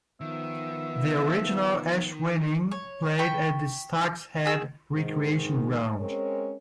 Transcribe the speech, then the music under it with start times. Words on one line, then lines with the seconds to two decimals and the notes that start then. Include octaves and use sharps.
The original Esh Winning played at the Stags Head Recreation Ground.
0.21 D#3 F3 B3 E5
2.72 C#5
3.19 G5 B5 C#6
4.46 G#4 E6
4.93 G#2 D#3
5.99 G#3 C4 C#4 A#4 C#5